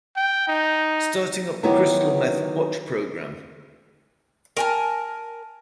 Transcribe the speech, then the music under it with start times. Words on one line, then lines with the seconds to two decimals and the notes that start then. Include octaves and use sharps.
Starting up the Crystal Meth Watch Program...
0.17 G5
0.48 D#4
1.63 D#3 F#3 B3 E4 G4
4.57 A#4 G#5 A5